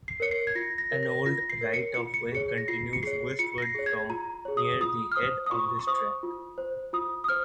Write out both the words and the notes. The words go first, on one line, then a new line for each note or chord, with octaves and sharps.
An old right of way continues westwards from near the head of this track.
C7
A#4 C#5 C#7
C7
G#6
F4 A#6
A#6
A#4 C#5
A#6
F4 A#6
C7
A#4 C#5
C#7
F4 C#7
C#7
G#4 C#5 C#7
A#6
F4 C7
C#7
G#4 C#5 C7
F4 C#7
A#6
C7
G#4 C#5
G#6
F4 A#5
G#4 C#5
D#6
F4 D#6
F6
C5 D#6
D#6
F4 C#6
C#6
C5 D#6
F4
C5
F4 D#6
D#6
C5 F6